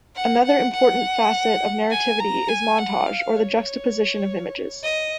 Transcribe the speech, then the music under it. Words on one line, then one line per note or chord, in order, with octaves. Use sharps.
Another important facet of narrativity is montage, or the juxtaposition of images.
F#5
F#5
F#5
G#5
A#5
G#5
F#5
F5
C#5
D#5